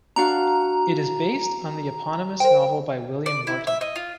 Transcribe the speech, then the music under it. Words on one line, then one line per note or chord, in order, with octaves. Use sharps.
It is based on the eponymous novel by William Wharton.
D4 F#4 F5 A#5
A#4 C5 G5
D5
E4
E5
D#5
F4